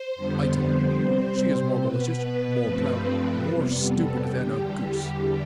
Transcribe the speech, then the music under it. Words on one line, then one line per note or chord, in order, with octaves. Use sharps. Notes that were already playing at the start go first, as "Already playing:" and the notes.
Item--she is more malicious, more proud, more stupid than a goose.
Already playing: C5
F2 D3 G3 B3
C5
C3 G3 C4
C5
B2 B3 B4
B4
G2 F3 A3 C4 B4
F2 C3 G3 B3
A4
E2 D3 G3 G4